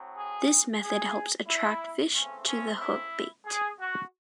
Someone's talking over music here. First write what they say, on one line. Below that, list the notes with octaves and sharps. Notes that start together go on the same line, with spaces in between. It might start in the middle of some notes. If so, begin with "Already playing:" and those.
This method helps attract fish to the hook bait.
Already playing: A2 F#3 C4
G#4
G#4
E4
C#3 E3 A3 C4 C#4
C#4
E4
G#4
F#4